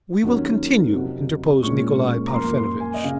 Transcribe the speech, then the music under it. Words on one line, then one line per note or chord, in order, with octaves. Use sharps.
"We will continue," interposed Nikolay Parfenovitch.
D#2 D#3 F#3 C#4
F2 C3 F#3
A#2 G#3 C#4 C#6
A#5
F#2 F3 A#3 C6
C6
G#5
D#5
C#3 F5